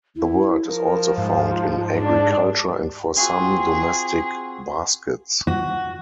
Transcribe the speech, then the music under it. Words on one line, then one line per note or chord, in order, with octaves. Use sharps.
The word is also found in agriculture and for some domestic baskets.
E4
F3 A#4
G#2 F5
D4 D5
C4 F4 F#4 G#4
F#4